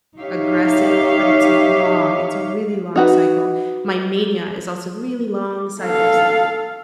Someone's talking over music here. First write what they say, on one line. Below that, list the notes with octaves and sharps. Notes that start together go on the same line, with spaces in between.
aggressive, but it's long it's a really long cycle, my mania is also really long cycles,
D#4 G4 C#5 E5 F5
D#4 F#4 B4
A4 F5